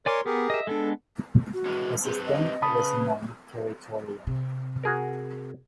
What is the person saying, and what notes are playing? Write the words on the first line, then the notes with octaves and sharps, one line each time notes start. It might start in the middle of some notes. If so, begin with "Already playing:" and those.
The system was non-territorial.
A#4 C#5 D5 G#5 C6 D6
B3 G4 G#4 A#4
D#5 E5
G#3 B3 D4 A4
F#4
E3 G#3 C#4
C4 G4 G#4 B4
D#5
C#3 A5 B5 D#6
B4
C3
F#4 G#4 A#4